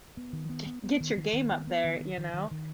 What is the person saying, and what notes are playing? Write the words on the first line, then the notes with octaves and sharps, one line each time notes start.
gre get your game up there, you know,"
B3
D#3
B3
B3
B3
D#3
D#3
D#3
B3
B3
D#3
D#3
D#3
D#3
D#3